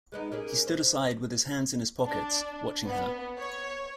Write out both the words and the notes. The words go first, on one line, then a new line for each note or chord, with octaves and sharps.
He stood aside, with his hands in his pockets, watching her.
G#3 B3 D#4
A#3 C#4 G#4
C5
D4
B3
C#5